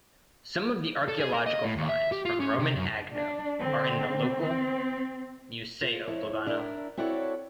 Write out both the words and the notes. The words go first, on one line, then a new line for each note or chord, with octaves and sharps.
Some of the archaeological finds from Roman Agno are in the local Museo plebano.
A4
G#4
A#4
D#5
A2
D#2
E5
G4
F4
C#4
C3
F#2
D4
D3 C4
C4
F4
F2 E4 C#5
D4 E4 A#4
C4 E4 F#4 A4 C#5 D5